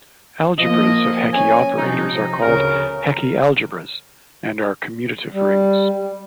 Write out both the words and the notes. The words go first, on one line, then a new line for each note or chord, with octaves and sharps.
Algebras of Hecke operators are called Hecke algebras, and are commutative rings.
F3 A#3 D#5
C#4 G#5
C3 F3 D#4
D2 C#3 A#4
G3